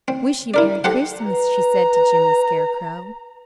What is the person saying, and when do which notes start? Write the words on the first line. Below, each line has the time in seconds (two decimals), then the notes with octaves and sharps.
"Wish you Merry Christmas!" she said to Jimmy Scarecrow.
0.08 C4
0.54 E4 A#4 D5
0.84 G4 A4 C5 F#5
1.25 B4 A#5